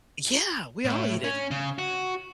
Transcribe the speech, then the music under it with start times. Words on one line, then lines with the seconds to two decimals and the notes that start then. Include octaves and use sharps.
Yeah, we all eat it
0.85 A2
1.24 C#4
1.51 C#3
1.79 F#4